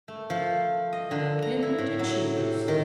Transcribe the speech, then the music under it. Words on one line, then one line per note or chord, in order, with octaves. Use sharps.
Not a Pin to Choose.
A3
F3
D#5
D3
A#5
E4
A2
F#3
C3
D#3